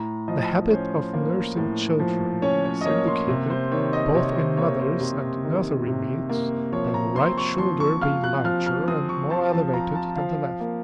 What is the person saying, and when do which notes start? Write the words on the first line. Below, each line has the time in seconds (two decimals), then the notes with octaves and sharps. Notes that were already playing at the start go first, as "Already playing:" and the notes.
The habit of nursing children is indicated, both in mothers and nursery-maids, by the right shoulder being larger and more elevated than the left.
Already playing: A2 A#5
0.28 F3 D#5
0.71 C#4 C5
1.14 A#3
1.57 A2
1.99 F3
2.42 C#4 C#5
2.64 C#5
2.81 D#5
2.86 A#3 C#5
3.07 C6
3.28 C3
3.50 C5
3.71 D#3 C#5
3.93 D#5
4.14 C3 C#5
4.36 C5
4.57 A#3 C#5
4.78 C5
5.00 C3
5.44 D#3
5.87 C3
6.29 A#3
6.72 F3 C#5
6.94 A#5
7.15 C4 C6
7.38 C#6
7.58 F3 C6
7.80 C#6
8.01 F4 F6
8.24 F#6
8.44 F3 F6
8.66 F6
8.88 C4 D#6
9.09 C#6
9.30 F3 A5
9.52 A5
9.73 F4 A#5
9.95 A5
10.16 F3 F5
10.60 A#3